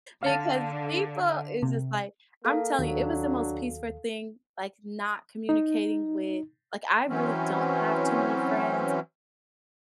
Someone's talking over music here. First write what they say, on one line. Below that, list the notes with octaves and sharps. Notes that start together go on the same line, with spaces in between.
Because people is just like I'm telling you, it was the most peaceful thing, like, not communicating with Like, I really don't have too many friends,
D3 F5 A5
C3
A#3 A4 F5
D#2 F#3 D4
D#4
E3 F#3 C4 C#4